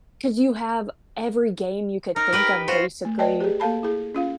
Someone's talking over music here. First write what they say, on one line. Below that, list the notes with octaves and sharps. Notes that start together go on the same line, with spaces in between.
'cause you have every game you could think of basically,
D#4 A#4
G4 B4 G5
F4 F#4 C5
A3
B4 D5 D#5 G5 A5
G4 G#4
A#3 A4 F5 A5 B5
E4 G#4
C#4 F4 F5